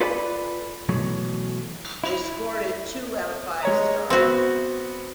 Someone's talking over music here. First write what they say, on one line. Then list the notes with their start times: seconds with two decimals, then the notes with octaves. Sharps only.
They scored it two out of five stars.
0.01 F4 A4 B4 D5 G#5 B5
0.89 B2 E3 F#3 A3
2.04 E4
3.63 G#3 C#5 A#5
4.10 B3 C4 F#4